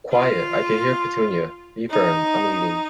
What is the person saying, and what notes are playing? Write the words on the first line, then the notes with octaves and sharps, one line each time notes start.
Quiet! I can hear Pétunia! Be Firm! I’m leaving!
F4
D#4